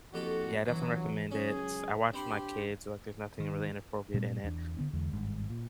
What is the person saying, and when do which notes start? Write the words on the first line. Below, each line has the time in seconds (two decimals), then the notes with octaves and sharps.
yeah, I definitely recommend it, it's I watch with my kids, like, there's nothing really inappropriate in it,
0.14 F2 A#3 E4 F#4 G4 A4
0.68 G1 E3 F#3
1.31 C#2 F#3 C#4 G#4
2.13 C4 D4 G4 B5 C6
3.40 D#3
4.14 A#2 G3 A3 C4
4.44 E2 D4
4.77 D3 B3 D4
4.93 E2 D3 G#3
5.13 G#1 G2 G#3
5.50 A#2